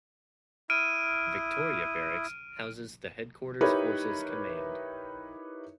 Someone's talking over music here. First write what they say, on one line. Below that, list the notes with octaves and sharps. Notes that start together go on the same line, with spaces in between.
Victoria Barracks houses the Headquarters Forces Command.
E4 D#6 F6 D7 D#7
D#4 E4 G4 A#4 B4 C#5